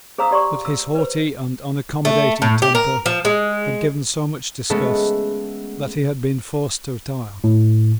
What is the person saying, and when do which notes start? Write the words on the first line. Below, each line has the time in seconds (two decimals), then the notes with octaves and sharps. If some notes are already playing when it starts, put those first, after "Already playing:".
But his haughty and unaccommodating temper had given so much disgust that he had been forced to retire.
0.18 G#4 C5 F5 A#5 D#6 E6
0.31 G4 D5 C6 C#6
0.65 E6
0.95 B4 C5
2.05 A3
2.42 A2
2.62 G4
2.75 A#4
3.06 F3
3.25 G#3
4.70 G#3 A3 B3 C#4 A4
7.44 A2